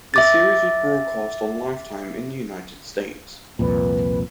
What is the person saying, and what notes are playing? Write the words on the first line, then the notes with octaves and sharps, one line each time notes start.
The series was broadcast on Lifetime in the United States.
E5 D6 A6
C2 F2 A#2 B4